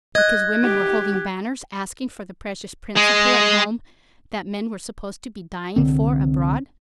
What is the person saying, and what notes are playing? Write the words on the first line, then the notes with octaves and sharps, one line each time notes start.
Because women were holding banners asking for the precious principle at home that men were supposed to be dying for abroad.
D#5 F#6 G#6
G4
G#3
C2 D3 C4